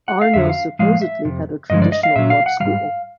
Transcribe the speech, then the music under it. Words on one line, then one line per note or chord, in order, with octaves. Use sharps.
Arno supposedly had a traditional "love school".
F#5
F5
F2 D3 F#3 E5
F5
A2 F3 G#3 F5
E5
F2 C3
G2 D3 F3 G#3 D#5
D5
D#5
F5
A#2 F#3 E5
F5
F#5
G#2 D#3 G3 F5